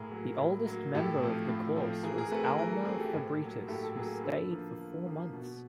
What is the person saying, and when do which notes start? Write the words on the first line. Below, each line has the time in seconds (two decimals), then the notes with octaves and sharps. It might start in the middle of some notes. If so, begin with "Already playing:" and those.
The oldest member of the course was Alma Fabritius, who stayed for four months.
Already playing: A2 G#4 A#4
0.11 F#3 A#3
0.39 A2
0.66 F#3 A#3
0.94 A2 G4 A4
1.22 F3 A3 C4
1.48 A2
1.76 F3 A3 C4
2.03 E3 G#4 A#4
2.18 G#4 A#4
2.31 A3 C4 A4 B4
2.45 G#4 A#4
2.58 E3 A#4
2.72 A4
2.85 A3 C4 G#4
3.00 G4 A4
3.13 A2
3.41 F#3 A#3
3.68 A2 G4 A4
3.84 A4
3.95 F#3 A#3 G#4 A#4
4.23 D3 A4 B4
4.50 F3 A#3
4.79 D3
5.06 F3 A#3
5.33 B2